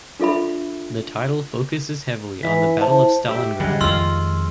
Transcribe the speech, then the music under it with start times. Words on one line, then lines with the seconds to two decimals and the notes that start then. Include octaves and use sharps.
The title focuses heavily on the Battle of Stalingrad.
0.20 D4 F4 A4 E5 B5
2.43 E3 B6
2.81 E4 C5 A5
3.29 G4 E5
3.60 D3 G3 G#3 F#5
3.81 F2 D#3 G#3 F4 F5 C6 E6 F6